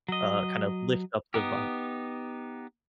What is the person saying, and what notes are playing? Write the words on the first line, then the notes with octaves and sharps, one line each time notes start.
uh, kind of, lift up the vibe.
F#3 D#5
B3 D#4 G4